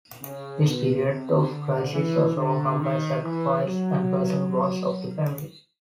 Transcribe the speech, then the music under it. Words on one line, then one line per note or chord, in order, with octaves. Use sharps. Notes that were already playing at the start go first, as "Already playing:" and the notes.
This period of crisis was overcome by sacrifice and personal bonds of the family.
C#3
B2
C3
D3
E3
D3
D#3
E3
F#3